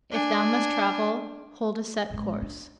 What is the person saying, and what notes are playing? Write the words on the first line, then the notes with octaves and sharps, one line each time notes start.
If thou must travel, hold a set course.
D4 G#5
A1 G#3
D4